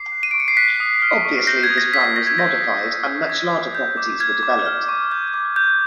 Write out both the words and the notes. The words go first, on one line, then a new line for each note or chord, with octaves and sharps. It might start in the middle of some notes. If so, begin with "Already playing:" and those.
Obviously, this plan was modified and much larger properties were developed.
Already playing: D6 C7
F#6
D#7
C#6 D7
C#7
C7
F#6 B6
D#6
F6
C#6
G6 A#6
G#6
D#6
A#6
E6 B6
B6
G6 A#6
G#6
G6 A#6
D#6
E6
G6
F#6 G#6
D#6
G6
D6
F6 G#6
D6
F6
C#6
G6
D6
G6